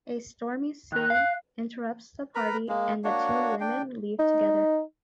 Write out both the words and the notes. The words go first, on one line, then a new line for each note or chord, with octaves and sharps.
A stormy sea interrupts the party and the two women leave together.
D#3 A#4 F#6
F5
A#4 B4 A#5 B5
G#3 A#3
A#3 D4 F#4 C#5
D4 G5
D#4